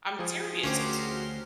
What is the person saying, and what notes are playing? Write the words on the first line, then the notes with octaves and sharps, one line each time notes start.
I'm serious.
F3 G#4
D2 C#4 F#4 G4 A#4 C5 C6